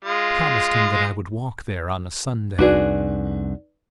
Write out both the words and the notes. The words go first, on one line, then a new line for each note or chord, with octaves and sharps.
I promised him that I would walk there on a Sunday.
G#3 F4
C2 F2 D4 D#4 F#4 G#4 B4 D5